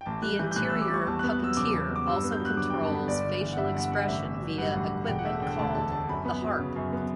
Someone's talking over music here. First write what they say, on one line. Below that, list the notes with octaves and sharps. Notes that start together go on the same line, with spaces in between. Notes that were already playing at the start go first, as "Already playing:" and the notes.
The interior puppeteer also controls facial expression via equipment called "the harp".
G5
A1 A5
G3 F#6
E3 G6
G6
A2 F#6
A1 E6
D6
G3 C#6
E2 A5
F#6
B3
F#6
F#3 E6
C#3 D6
E2
B3
D6
G2 E6
B3
G6
F#3
F#6
D3 D6
G2 G5
A5
B3 B5
G1 D5
G1
E3
F#5
G2 E5
G1 F#5
G1 F#5
A1 E5
A1
F#3
G2 F#5
A1
A1
F#5
E1 G5
F#5
A3 E5
D3 G5
D2 A5
E1 A5
A3 A5
F#2 B5
B3 B5
F#3
C#3
F#2
B3